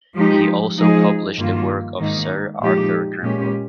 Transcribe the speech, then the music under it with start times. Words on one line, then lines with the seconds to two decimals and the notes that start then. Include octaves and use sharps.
He also published the work of Sir Arthur Grimble.
0.15 F3 G#3 D#4 G4
0.76 F3 G#3 D#4 G#4
1.38 G2 D#3 A#3 F4
1.99 G#2 D#3 A#3 D#4
2.60 A#2 F3 G#3 D#4 G4
3.21 A#2 G#3 C#4 G4